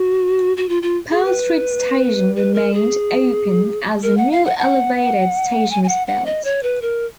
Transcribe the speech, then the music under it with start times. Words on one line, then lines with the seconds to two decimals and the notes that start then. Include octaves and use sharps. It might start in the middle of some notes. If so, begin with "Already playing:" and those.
Pearl Street Station remained open as the new elevated station was built.
Already playing: F#4
0.57 F#4
0.69 F4
0.83 F4
1.11 G#4
1.25 B4
2.36 B4
2.54 A#4
2.74 G#4
4.03 A#4
4.17 F#5
4.31 F5
4.45 F#5
4.59 F#5
5.71 G#5
5.84 G#5
5.89 F#5
6.07 F#5
6.26 D#5
6.44 C#5
6.63 B4
6.82 A#4